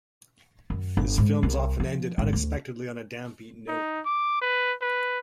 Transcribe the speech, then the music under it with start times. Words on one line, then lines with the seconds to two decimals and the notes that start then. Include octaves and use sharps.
His films often ended unexpectedly on a downbeat note.
0.70 F#2
0.97 G1
1.18 G#2
1.43 C2
1.80 F3
2.18 G#1
2.33 D2
3.68 D#4
4.06 D6
4.42 B4
4.81 B4